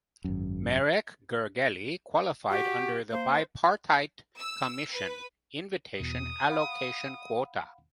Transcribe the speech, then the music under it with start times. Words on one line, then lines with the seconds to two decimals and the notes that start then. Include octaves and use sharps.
Marek Gergely qualified under the bipartite commission invitation allocation quota.
0.24 G#1 F#2
2.51 F#4 G4
3.12 A#3 C5
4.38 E6
4.92 B4
6.00 E2 B2 D#6
6.49 F5 F#5 B5